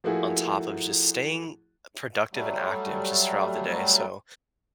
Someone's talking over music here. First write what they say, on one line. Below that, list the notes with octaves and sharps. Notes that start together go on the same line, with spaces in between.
on top of just staying, uh, productive and active just throughout the day, so,
F3 A3 A#3 E4 F#4 G#4
F#3 G3 A3